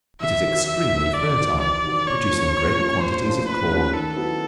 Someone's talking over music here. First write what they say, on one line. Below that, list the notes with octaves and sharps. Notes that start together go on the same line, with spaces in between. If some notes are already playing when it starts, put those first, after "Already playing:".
It is extremely fertile, producing great quantities of corn.
E2 E5
C3 D#3 F#3
E2 E5
C3 D#3 F#3
E2 D5
C3 D#3 F#3
E2 D5
C3 D#3 F#3
A#2 C#5
F3 A3 C#4 F4
A#2
F3 A3 C#4 F4
A#2 C5
F3 A3 C#4 F4
A#2 B4
F3 A3 C#4 F4
D#3 A4
F#3 B3 E4